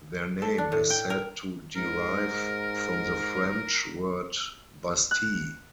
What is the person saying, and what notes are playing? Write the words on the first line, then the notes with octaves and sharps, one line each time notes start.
Their name is said to derive from the French word "bastille".
A4
D4
A2
G5
A#4
G#2 A#4
F#6